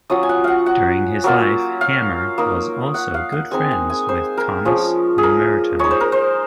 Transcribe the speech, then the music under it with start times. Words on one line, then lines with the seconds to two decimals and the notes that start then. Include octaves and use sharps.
During his life, Hammer was also good friends with Thomas Merton.
0.10 F#3 C#4 F4 D#6
0.23 G#5
0.29 F#5
0.44 F5 F#5
0.66 F#5
1.24 F#3 A#3 F4
1.81 F5
2.38 A#3 D#4
2.94 F#5
3.14 F5
3.32 F#5
3.51 G#3 C4 D#4 G#5
3.71 G#5
3.90 G#5
4.09 C5
4.37 A#4
4.65 F3 G#3 C#4
5.18 G#4
5.23 A#4
5.79 G#3 D#4 C#5
5.91 C5
6.00 A#4
6.12 C5